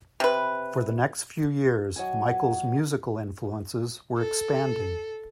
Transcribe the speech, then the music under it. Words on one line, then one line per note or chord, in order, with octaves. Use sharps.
For the next few years, Michael's musical influences were expanding.
C3 B4
F#3 D#5 G#5
A4